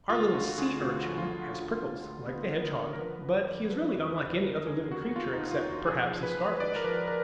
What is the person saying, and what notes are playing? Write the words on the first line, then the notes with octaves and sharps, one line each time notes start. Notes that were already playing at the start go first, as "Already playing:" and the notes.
Our little Sea-urchin has prickles, like the hedgehog, but he is really unlike any other living creature, except, perhaps, the Starfish.
D2 F4
D3 F#4
D3 G#4
D2 F#4
F3
F4
D2
D3 F4
D2
D2
D3 B3
D3 A#4
D3 A#4
A#4
F3 B4
F2
D5
F3
F3 B4
F2
B4
F2
D3 A#4
D#2 G#4
D#2 F#4
D#2 F4
D#4
D#2
F4
D#2
F#4
F3 G#4
F3
B4
F3
G#2 D5
A#4
F3 B4
A#4